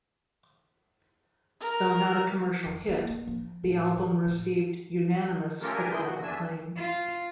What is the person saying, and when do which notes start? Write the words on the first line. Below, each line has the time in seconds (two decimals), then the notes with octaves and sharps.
Though not a commercial hit, the album received unanimous critical acclaim.
1.61 A#4
2.66 F2
2.88 A#3
3.09 A#3
3.27 F3
3.63 A2
3.97 D#3
4.25 A2
5.61 A3 C#4 F4 G4 A4 A#4
5.73 D4 G4 A#4 G#5
5.92 F#2 B3 E4 G#4 G5 C6
6.04 A#2 F#4
6.23 E2 A3 D4 G#5 E6
6.76 F4